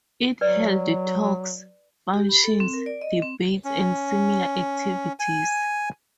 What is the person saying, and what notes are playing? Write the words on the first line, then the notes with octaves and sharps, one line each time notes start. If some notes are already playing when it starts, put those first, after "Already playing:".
It held talks, functions, debates and similar activities.
F#3 B4 D5
G4
B5
A4
C4
A#4
D5
D#5
C4
C#4
G#5